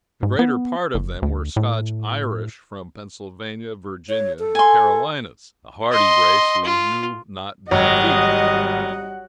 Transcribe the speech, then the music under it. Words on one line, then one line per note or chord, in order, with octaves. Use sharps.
The greater part of them were Scotch-Irish from Pennsylvania, Virginia, the Carolinas--a hardy race, who knew not defeat.
G#2
B3
F#1
D2
A2
C#5
A4
G#5 C6
D#5 C6
F4
G#1 F#3 G3 D#5 F#5